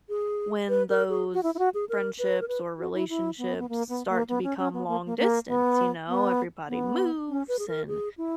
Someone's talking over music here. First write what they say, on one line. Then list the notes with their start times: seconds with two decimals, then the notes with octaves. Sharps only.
when those friendships or relationships start to become long distance, you know. Everybody moves and
0.09 G#4
0.69 B4
0.89 A#4
1.09 G#4
1.34 F#4
1.43 E4
1.55 E4
1.59 F#4
1.74 G#4
1.89 A#4
2.19 B4
2.41 A#4
2.48 B4
2.78 F#4
2.94 E4
3.09 E4
3.38 B3
3.58 B3
3.69 A#3
3.89 B3
4.09 A#3
4.29 B3
4.43 C#4
4.58 C#4
4.73 B3
4.88 A#3
5.06 A#3
5.18 A#3
5.48 B3
6.08 B3
6.68 B3
7.29 C#4
7.48 B4
7.59 G#4
7.68 A#4
7.88 G#4
8.18 E4